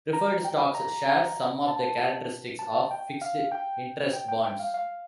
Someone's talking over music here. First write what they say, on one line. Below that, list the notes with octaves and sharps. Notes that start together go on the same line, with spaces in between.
Preferred stocks share some of the characteristics of fixed interest bonds.
A#5
G5
A#5
A5
A5
G5
F5
G5
G5
G5
G5
F5
F5